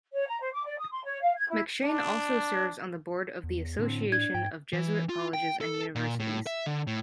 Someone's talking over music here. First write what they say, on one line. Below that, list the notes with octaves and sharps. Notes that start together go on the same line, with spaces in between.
McShane also serves on the board of the Association of Jesuit Colleges and Universities.
C#5
A#5
C5
D6
D5
D#6
C6
C#5
F5
G#6
E4
D4
E2
A2 D3 C4
D4 G#6
G#2 G5
E3
F4
G5
A4
A#2
A2
E5
D3
A2